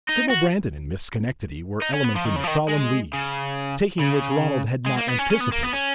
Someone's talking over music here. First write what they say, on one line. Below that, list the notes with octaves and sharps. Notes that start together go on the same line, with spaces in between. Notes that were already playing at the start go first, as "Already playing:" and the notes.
Sybil Brandon and Miss Schenectady were elements in the solemn leave-taking which Ronald had not anticipated.
D#4
F#4
D#4
C#4
B3
F3
D#3
C#3
F3
D#3
G#3
C#3
C#3
G#3
A#3
B3
C#4
C#4
B3
A#3
B3
C#4